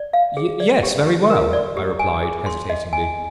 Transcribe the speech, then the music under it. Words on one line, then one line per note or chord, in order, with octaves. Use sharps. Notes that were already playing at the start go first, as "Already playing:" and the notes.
'Yes, very well,' I replied, hesitatingly.
Already playing: D5
F5
G#4
D5
G4
G4
A#4
D5
G4
G#5
G#4
C6
D#5
G#5